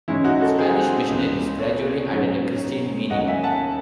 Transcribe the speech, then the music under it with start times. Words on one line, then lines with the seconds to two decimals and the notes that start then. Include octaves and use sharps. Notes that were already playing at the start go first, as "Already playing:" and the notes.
Spanish missionaries gradually added a Christian meaning.
0.08 G#2 E3 G#3 C#4 E4
0.24 D#4 F#4
0.41 F#4 A4
0.59 G#4 C5
1.09 C#2 C#3 E3
1.58 A4 C#5
2.09 G#2 F#3 C#4
3.10 D#2 C#3 F#3 C#4 D#5 F#5
3.28 E5 G#5
3.44 F#5 A5